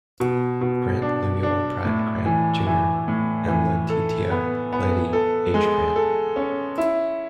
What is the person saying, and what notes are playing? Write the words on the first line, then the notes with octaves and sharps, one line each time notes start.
Grant, Lemuel Pratt Grant, Junior and Letitia "Lettie" H. Grant.
B2
B2
D4
D4
A2
E3
E3
A2
E3
A4
B3
B3
A4
G#3
A4
C#4
E4